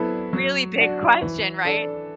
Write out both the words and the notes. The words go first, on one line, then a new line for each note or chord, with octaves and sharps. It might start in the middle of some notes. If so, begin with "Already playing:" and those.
Really big question. Right?
Already playing: F#3 B3 E4 A4
F#3
D4 F#4
E3
D4 A4